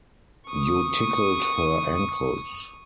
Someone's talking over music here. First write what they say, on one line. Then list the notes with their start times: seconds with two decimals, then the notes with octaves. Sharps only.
You tickled her ankles.
0.47 C#6 D#6